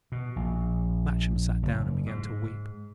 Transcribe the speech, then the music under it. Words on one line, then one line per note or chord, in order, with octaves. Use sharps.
Matcham sat down and began to weep.
B2
A#1
F#1
G#2